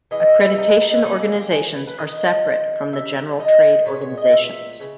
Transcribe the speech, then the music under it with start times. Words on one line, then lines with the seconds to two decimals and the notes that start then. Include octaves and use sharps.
Accreditation organizations are separate from the general trade organizations.
0.11 E3 G#3 B3 D#5
0.27 E4
0.42 E4
0.58 D#4
0.69 E4
0.82 D#4
0.93 E4
1.05 D#3 A#3 C#4 D#4
1.21 E4
1.36 G4
1.51 G#4
1.75 B4
1.87 B4
1.98 D#3 G#3 B3 D#5
2.92 D#3 G3 E5
3.40 D#5
3.86 A#2 G#3 B3 C#5
4.01 C#5
4.17 D#5
4.33 E5
4.80 C#3 E3